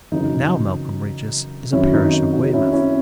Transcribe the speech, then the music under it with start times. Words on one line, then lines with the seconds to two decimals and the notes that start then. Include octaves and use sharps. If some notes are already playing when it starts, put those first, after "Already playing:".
Now Melcombe Regis is a parish of Weymouth.
0.12 F#2 C#3 E3 D#4
1.72 F#2 D#3 F#3 C#4 E4
1.93 D#4
2.13 D#4
2.33 D#4 F#4
2.54 C#4 E4
2.73 C#4 E4